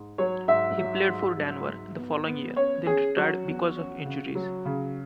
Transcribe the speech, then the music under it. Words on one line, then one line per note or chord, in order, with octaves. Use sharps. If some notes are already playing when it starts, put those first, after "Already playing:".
He played for Denver the following year, then retired because of injuries.
Already playing: G#2
F#3 C#5
G#2 E5
F#3
G#2
F#3
G#2
B3
B3
C#4 C#5
C#4 G#4
F#3 F#4
E2
C#4
C#3
F#3
C#3